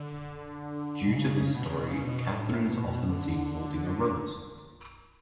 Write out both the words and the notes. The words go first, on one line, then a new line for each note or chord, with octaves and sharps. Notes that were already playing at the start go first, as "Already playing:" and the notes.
Due to this story, Catherine is often seen holding a rose.
Already playing: D3
B2
C#3
B2
C#3
B2
C#3
B2
A2
B2
D3